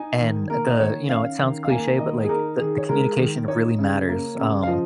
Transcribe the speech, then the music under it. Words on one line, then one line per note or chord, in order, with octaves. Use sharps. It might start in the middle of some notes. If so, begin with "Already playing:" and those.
and the you know, it sounds cliche, but, like, the the communication really matters, um,
Already playing: D#4 G#5
D#3
A#3 A#4
D#5
D#3 C#5
C#4 F5
D#3
F5
A#3 G#5
D#3 D#5
G#4
D#4 A#4
D#3 G#4
C#5
G#3 A#4
D#3
D#4 C#5
C#3
A#3
C#3
F5
F3 D#5